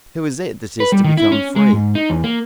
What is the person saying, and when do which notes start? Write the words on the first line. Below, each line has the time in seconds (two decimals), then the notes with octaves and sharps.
Who is it that is to become free?
0.80 B4
0.92 G3
1.04 D#3
1.17 E4
1.32 C#4
1.56 G#3
1.73 G#2
1.95 D#4
2.10 E2
2.24 A#3